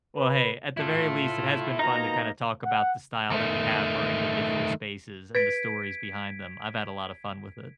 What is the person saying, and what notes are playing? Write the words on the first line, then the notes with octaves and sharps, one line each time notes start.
well, hey, at the very least, it has been fun to kinda talk about the style that we have for individual spaces and the stories behind them. I've had a lot of fun with it.
B4
E4 F4 A4
B2 A#3 D#4 A#5
F#5
D#3 A3
B4 G#6 B6 D7